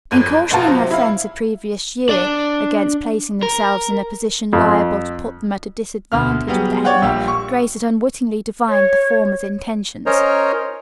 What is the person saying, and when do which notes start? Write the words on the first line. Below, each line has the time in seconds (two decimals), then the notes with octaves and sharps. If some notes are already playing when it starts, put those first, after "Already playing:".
In cautioning her friends the previous year against placing themselves in a position liable to put them at a disadvantage with Eleanor, Grace had unwittingly divined the former's intentions.
0.11 F#1 F2 D#7
0.51 A#1 B2 B3 F4 A5
0.67 C3 F#3 C4
0.91 E4 F5
2.09 D4 D5
3.43 A#4
4.53 F2
6.12 D2 B2 F6
6.47 F#3 G3 B3 G4 G#4
6.84 C#5 D5 F#5 G5
7.02 A#1 A#2 G3 G4 E6
7.28 C#6
8.69 C#5
10.06 C#4 A#4 C5 C#5 D#5 A#5